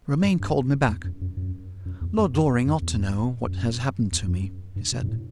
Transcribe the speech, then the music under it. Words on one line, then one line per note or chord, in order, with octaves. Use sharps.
Romayne called me back. "Lord Loring ought to know what has happened to me," he said.
G2
G2
E2
F#2
F#2
F#2
F#2
E2
F#2
F#2
F#2
E2
F#2
E2
F#2
G2
B2
G2
A2